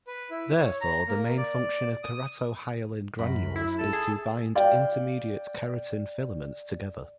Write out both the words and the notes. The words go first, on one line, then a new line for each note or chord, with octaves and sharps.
Therefore, the main function of keratohyalin granules is to bind intermediate keratin filaments together.
B4
E4
C#5
A#5
A#3
D5
D#6
F#2 B5
E4
A4 A5
G#4
D5 F5 G5